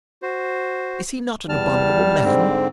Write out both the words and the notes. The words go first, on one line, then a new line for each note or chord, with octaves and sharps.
Is he not an abominable man?
F#4 C5
E2 G3 A5 F6
G#2 D3 C4